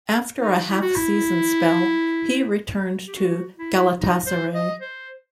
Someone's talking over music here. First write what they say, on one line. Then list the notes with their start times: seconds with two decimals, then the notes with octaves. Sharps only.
After a half season spell, he returned to Galatasaray.
0.40 D#4
0.69 E4
0.82 F#4
0.96 E4
3.07 G4
3.16 F#4
3.58 E4
3.98 D#4
4.26 C5
4.54 D#5
4.81 C5